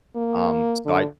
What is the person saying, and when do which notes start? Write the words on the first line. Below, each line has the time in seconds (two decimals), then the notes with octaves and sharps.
um, so I
0.15 A#3
0.85 D3